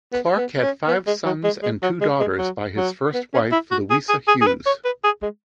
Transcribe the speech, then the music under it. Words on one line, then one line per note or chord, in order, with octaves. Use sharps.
Clarke had five sons and two daughters by his first wife Louisa Hughes.
B3
B3
C#4
B3
G#3
F#3
G#3
G#3
F#3
G#3
G#3
F#3
F#3
B3
C#4
E4
F#4
G#4
G#4
G#4
G#4
B4
C#5
B4
G#4
G#3